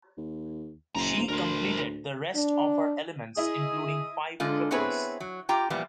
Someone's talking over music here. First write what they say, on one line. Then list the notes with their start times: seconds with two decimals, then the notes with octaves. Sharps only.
She completed the rest of her elements, including five triples.
0.17 D#2
0.95 F#1 C5 A#5
1.16 E1
1.29 D2 A#4 C5
2.35 D4
3.37 E4 G#4 D#5 D#6
4.40 G#2 D3 G#3 F4
4.71 B3 C4 E4 G#4 B4 C#5
5.20 F#3
5.49 F4 G4 G5 A#5
5.70 A#2 E3 F3 G3 B3